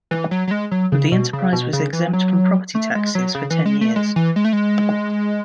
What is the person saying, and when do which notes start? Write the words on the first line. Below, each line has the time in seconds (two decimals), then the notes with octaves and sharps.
The enterprise was exempt from property taxes for ten years.
0.11 E3
0.31 F#3
0.47 F#3
0.51 G#3
0.71 F#3
0.92 C#3
1.12 B2
1.33 C#3
1.53 B2
1.73 C#3
1.93 E3
2.13 F#3
2.75 A3
2.95 G#3
3.15 F#3
3.35 C#3
3.50 E3
3.66 G#3
3.81 A3
3.96 G#3
4.16 E3
4.36 G#3
4.44 A3
4.53 G#3